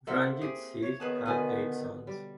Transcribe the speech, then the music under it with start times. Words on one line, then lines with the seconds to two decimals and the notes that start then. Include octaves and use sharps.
Ranjit Singh had eight sons.
0.07 A#3 C4 A4 E5 F#5
0.41 G4 G#4
0.82 C#5
1.00 D#3 B3 G#4 B4 A5
1.26 B2 D3 B4 G#5
2.07 G3